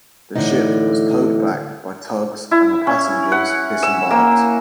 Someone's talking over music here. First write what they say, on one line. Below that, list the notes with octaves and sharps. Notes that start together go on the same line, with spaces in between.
The ship was towed back by tugs and the passengers disembarked.
A2 D3 E3 F3 D#4
E4
C#4
F#5
E6
A#3